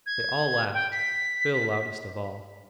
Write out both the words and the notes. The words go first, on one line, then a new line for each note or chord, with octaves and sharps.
They all laughed, Phil loudest of all.
G#6
G5
B6